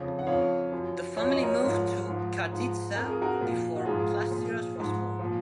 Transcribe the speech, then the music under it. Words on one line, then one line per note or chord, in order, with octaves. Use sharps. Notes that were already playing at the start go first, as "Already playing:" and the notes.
The family moved to Karditsa before Plastiras was born.
Already playing: F2 C#3 F3
F#5
F2 F3 C#5 F5
F#2 F3
F#2 F3 C#5
D#5
A#4 C#5
G#2 F3
G#2 F3
G#2 F3
F2 F3 A#4
G#4
F#4 A#4
A#2 F3
F#4
G#2 F3 F4 G#4
A#2 F3
G#2 F3
A#2 F3